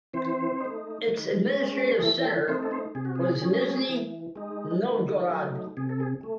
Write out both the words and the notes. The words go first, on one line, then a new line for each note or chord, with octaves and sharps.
Its administrative centre was Nizhny Novgorod.
E3 C4 C5
A3 D#4
D#3
G#3 C#4
G#4
E3 A3 A4
A3 A4
A3 C4 D#4 C5
A4
C4 C5
C3 G#4
F#4
G#4
F#3 C#4
E3
G#3 D#4
D#3
F#3 A3 D#4
C3 G#4
A4
G#4
A3